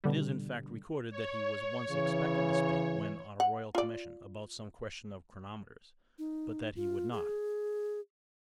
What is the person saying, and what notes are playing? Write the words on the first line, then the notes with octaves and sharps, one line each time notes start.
It is, in fact, recorded that he was once expected to speak when on a Royal Commission about some question of chronometers, but that he would not.
B2 D3 G3
C#5
C#3 E3
F#5
F4 D5
D#4
F4
G#4